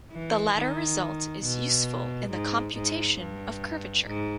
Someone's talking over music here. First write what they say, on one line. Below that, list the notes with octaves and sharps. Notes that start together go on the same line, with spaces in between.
The latter result is useful in the computation of curvature.
E3
D#3
B2
G#2
G#2
G2
G#2